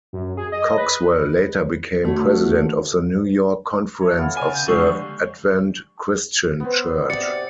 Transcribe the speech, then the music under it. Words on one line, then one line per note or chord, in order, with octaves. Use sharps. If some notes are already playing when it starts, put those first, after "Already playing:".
Cogswell later became president of the New York Conference of the Advent Christian Church.
F#2
G#4
D#5
B4
D3 A3 F#4 C#5
A3 C#5
B3 F4 A#5
C#3 G#5
G6
D3 F3 G3 G#3 C#6
B3 C4
C3 D5 C#7